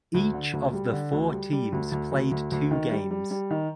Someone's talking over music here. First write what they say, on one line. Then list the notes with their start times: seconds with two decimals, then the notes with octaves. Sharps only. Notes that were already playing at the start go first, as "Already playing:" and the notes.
Each of the four teams played two games.
0.14 D2
0.33 D3
0.53 D2
0.73 G3
0.93 D3
1.12 D2
1.32 G3
1.52 G3
1.72 D2
1.92 D2
2.12 D2
2.31 D2
2.52 D2
2.71 D#3
2.91 G3
3.11 G3
3.31 G3
3.51 D#3